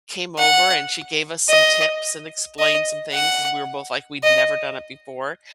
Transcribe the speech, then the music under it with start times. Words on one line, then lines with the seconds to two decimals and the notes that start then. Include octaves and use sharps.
came over, and she gave us some tips, and explained some things, 'cause we were both like we'd never done it before.
0.38 F#5
1.49 D#5
2.59 D#5
3.13 F#5
4.23 D#5